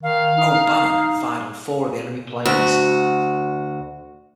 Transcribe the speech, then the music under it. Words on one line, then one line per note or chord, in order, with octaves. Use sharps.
"O'Bannon" fired on four of the enemy planes.
D#3 F5
D#4
D2 F#4